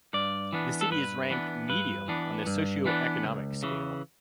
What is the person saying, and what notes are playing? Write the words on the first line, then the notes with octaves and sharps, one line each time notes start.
The city is ranked medium on the socio-economic scale.
G2 D5
E3 B3 D4
A4
G2 B4
E3 B3 D4
G2 B4
E3 B3 D4
G2
E3 B3 D4
C#2
C#3 E3